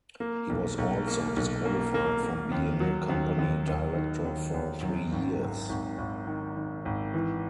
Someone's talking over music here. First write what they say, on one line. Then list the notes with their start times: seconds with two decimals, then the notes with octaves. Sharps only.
He was also disqualified from being a company director for three years.
0.20 A#3
0.49 B1
0.78 B1
1.07 A#3
1.36 B1
1.65 A#3
1.94 A#3
2.23 A#3
2.52 D#2
2.80 F#3
3.09 D#2
3.39 D#2
3.67 D#2
3.96 D#3
4.25 D#2
4.54 D#2
4.82 F#2
5.12 G#1
5.41 G#1
5.69 G#1
5.98 G#1
6.27 D#3
6.56 D#3
6.85 G#1
7.14 E3